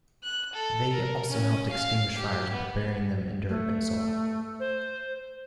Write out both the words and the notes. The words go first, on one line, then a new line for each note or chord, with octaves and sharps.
They also helped extinguish fires by burying them in dirt and soil.
F#6
A4
A#4
C#4
F5
G4
B3
A3
C5